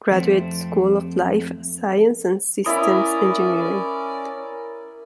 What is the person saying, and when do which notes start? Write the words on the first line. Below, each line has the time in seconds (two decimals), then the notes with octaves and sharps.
Graduate School of Life Science and Systems Engineering.
0.11 F2 A3 C4
2.66 C#4 E4 A#4 D5 B5 D#6